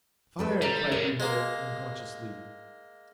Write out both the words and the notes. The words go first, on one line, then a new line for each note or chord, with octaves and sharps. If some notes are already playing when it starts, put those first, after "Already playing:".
"Fire!" cried Grimaud, unconsciously.
G3 A4 B4
G3 E5 A#5
G2 D3 A#4
G#3 A#3